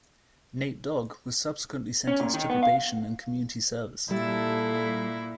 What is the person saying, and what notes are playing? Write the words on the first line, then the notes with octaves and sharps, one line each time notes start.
Nate Dogg was subsequently sentenced to probation and community service.
C#4
A#2
D#3
B3
F5
A#2 G3 E4 A4